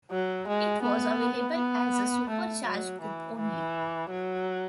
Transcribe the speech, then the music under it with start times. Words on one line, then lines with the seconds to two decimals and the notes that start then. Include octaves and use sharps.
It was available as a Supercharged coupe only.
0.11 F#3
0.48 G#3
0.83 B3
1.56 B3
2.30 A3
2.65 F#3
3.01 E3
3.38 E3
4.10 F#3